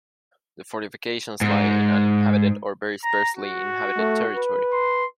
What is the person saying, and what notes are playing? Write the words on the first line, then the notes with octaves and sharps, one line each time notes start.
The fortifications lie in uninhabited or very sparsely inhabited territory.
G#2
A#5
F#4
A3
B4
C6